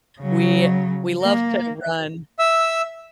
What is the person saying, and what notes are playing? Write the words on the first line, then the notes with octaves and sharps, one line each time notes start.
we we love to run
C#3 F#3
A#3
E5 E6